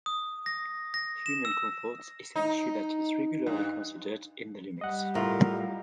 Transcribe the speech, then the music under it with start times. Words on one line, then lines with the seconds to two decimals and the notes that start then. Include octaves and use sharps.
Human comfort is an issue that is regularly considered in the limits.
0.06 D#6
0.46 A#6
0.94 A#6
1.26 E7
1.45 E6
2.36 D#4
3.46 G2
4.81 G3 D#5 F#5
5.15 A2 F4 A#4